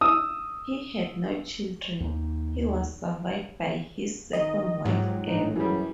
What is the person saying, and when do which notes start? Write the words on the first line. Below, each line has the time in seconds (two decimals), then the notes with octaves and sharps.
He had no children; he was survived by his second wife Emma.
0.01 D#6 E6
2.00 D#2
4.33 D#3 D#5
4.85 G#2 F3 F#3 G4
5.26 A2 D4 D#4
5.56 F#2 E3 G3 G#4